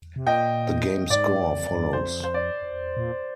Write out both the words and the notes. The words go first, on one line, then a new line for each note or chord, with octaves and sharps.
The game score follows.
C3
A#2 D#5 G5
G#2 D5
F2
G2
F2 C5
C5
D5
A#2